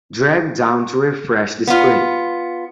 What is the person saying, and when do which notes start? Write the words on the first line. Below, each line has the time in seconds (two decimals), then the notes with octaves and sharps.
Drag down to refresh the screen.
1.67 B3 F4